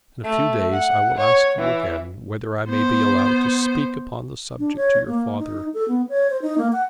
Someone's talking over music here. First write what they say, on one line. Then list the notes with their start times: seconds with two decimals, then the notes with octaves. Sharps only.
In a few days I will ask you again whether I may be allowed to speak upon the subject to your father.
0.24 A3
0.73 F#5
1.17 C#5
1.59 E3
2.67 B3 C5
4.59 D4
4.76 C#5
5.07 A#3
5.39 D#4
5.74 A4
5.88 B3
6.09 C#5
6.30 C5
6.42 D#4
6.58 A#3
6.72 F#5